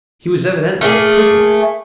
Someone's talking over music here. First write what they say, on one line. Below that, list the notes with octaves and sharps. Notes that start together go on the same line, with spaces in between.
He was evidently a prisoner.
A3 A#3 G4 G#4